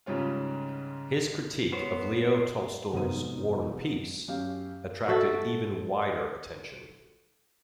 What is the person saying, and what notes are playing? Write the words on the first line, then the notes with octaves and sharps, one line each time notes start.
His critique of Leo Tolstoy's "War and Peace" attracted even wider attention.
G#2 C#3 G3 C#4 F4
B3 C5 C#5
F1 G#2 B3 D#4 C5 D#7
F#2 C#4 G4 F5
F#4 A4 E5